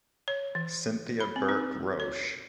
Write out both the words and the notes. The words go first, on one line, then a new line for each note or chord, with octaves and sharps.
Cynthia Burke Roche.
C#5
E3
B5
C4
D#4
C#5